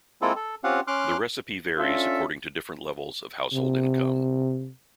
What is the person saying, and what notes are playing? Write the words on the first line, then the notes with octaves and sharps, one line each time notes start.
The recipe varies according to different levels of household income.
G#3 A#3 C4 E4 F4 A4
A4
C4 C#4 F4 G4 F5 F#5
C#4 C6 D6 F6 F#6
C#4 D4 F4 A4 E5
C3